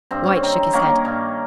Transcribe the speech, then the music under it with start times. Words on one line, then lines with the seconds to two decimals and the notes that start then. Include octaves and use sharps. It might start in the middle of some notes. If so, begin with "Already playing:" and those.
White shook his head.
0.11 G2 C4
0.24 C#4
0.35 C4
0.43 D#3
0.73 D#3 A#3 C#4
1.05 G2